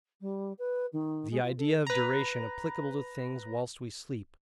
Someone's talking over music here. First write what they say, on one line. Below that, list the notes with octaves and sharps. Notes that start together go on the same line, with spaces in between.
The Idea of Duration applicable to Things whilst we sleep.
G3
B4
D#3
G#3
F4
A4
B4 A#5